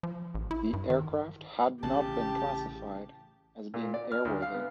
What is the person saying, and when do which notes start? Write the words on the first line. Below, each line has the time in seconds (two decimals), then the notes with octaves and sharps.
The aircraft had not been classified as being airworthy.
0.03 F3
0.35 A1
0.51 E4
0.73 G2
0.90 D#3
1.83 A1 C#3 G4 A5
3.74 A#2
3.94 D5
4.12 F6
4.25 D2
4.42 F5
4.54 B3